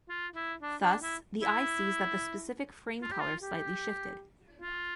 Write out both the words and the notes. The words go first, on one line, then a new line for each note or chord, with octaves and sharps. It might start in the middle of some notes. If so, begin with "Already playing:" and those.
Thus, the eye sees that specific frame color slightly shifted.
F4
E4
D4
D4
E4
E4
F4
G4
F4
G4
F4